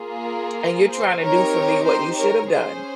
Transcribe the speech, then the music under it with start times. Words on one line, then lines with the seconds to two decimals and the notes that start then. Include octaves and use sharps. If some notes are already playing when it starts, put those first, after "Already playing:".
and you're trying to do for me what you should have done
Already playing: A#3 F4 G#4
0.24 A#4
0.57 A#4
0.90 C5
1.21 C4 D#4 G4 A#4 C#5
1.86 C5
2.19 A#4 C#5
2.51 C#4 G#4 C5